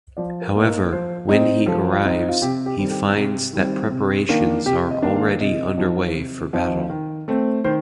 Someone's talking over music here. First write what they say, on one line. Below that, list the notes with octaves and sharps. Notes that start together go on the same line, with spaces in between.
However, when he arrives, he finds that preparations are already underway for battle.
F3 D5
A#4
A#3 D#4
A#4
F3 C5
C4 D#4
F3 A4
F4
C4 D#4
F4
C3 G4
G4
D#3 G3 C4
A4
G4
C3 G4
D#3 G3 C4
C3
D#3 A#3 D4
C3 G4
D#5
D#3 A#3 D4
F5
C3 D#5
F3 C4 D#4
C3
F3 C4 D#4
D#3
A3 C4
D#3 C5